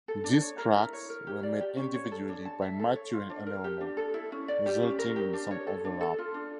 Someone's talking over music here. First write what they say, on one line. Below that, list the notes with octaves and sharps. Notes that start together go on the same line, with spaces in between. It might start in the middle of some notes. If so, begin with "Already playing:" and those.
These tracks were made individually by Mathew and Eleanor, resulting in some overlap.
A4
D4
C#5
A#4
E4
C#5
A#4
G4
D5
G4
C#4
C#5
A4
D4
A5
E5
A4
C#5
F4
D4
A#4
G4
D4
A4
E4
C#4
D5
G4
C#4
A#4
G4
D4
C#5
A4
D4
A4
F4
D4